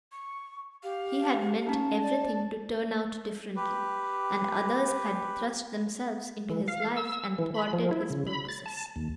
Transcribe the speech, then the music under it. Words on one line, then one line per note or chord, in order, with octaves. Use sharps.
He had meant everything to turn out differently; and others had thrust themselves into his life and thwarted his purposes.
C#6
G4 F5
C#4 D#4 A5
D5
G4 B4
E3
F5
E6
E3
B5
F3
E4
C#3
B5
A6
A5
D#2